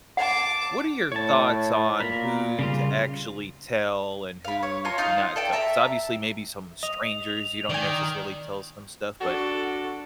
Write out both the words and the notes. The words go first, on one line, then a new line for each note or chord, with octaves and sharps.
what are your thoughts on who to actually tell and who to not tell? 'Cause, obviously, maybe some strangers you don't necessarily tell some stuff, but
F#5 A5 D6
A2 C#5 A5
A#2 A#4 B5
C#3 G3 F4
F5 B5
C#5
F4 C#5 A5 A#5
D#4 F4 F5
A4 D5 G5
E5 A5 A#5
D#5 F7
D#3 D5 G#5
D4 F#4 A4